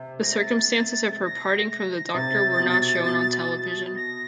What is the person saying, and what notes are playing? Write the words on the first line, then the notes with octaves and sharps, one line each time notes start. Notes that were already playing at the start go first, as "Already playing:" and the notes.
The circumstances of her parting from the Doctor were not shown on television.
Already playing: C3
A#6
A6
A#6
A#6
C3 A6
B2
B2
A#6